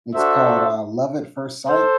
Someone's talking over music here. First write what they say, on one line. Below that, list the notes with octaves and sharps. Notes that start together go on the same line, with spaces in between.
It's called, uh, Love at First Sight
D4 F#4 A4 C5 E5
A4 C5